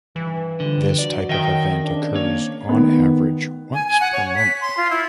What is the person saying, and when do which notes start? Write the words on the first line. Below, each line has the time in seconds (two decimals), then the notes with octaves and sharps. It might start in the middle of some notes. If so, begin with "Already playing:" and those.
This type of event occurs on average once per month.
0.16 G2 E3
0.60 D3 F3 G3
0.99 F#3 F#4 D5
1.29 D#3 D#5 E5 G5
1.82 C#3 C4 D4
2.14 A#3 C#5
2.69 D#3 B3
3.74 G#5
3.87 G#5
4.00 F#5
4.13 C#5
4.35 B6
4.61 C6
4.77 F4
4.90 E4